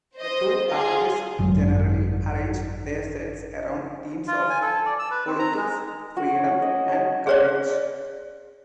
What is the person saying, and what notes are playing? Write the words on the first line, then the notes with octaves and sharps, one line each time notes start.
The tour artists generally arranged their sets around themes of politics, freedom, and courage.
C5 D#5
F4 G#4
G#1 F#2 F#3 G#3
F4
G#5
A4
D5
E6
B4
C4
A#5
G#3
F#4
C#4
D#5
C#5
G#4 C#5 D5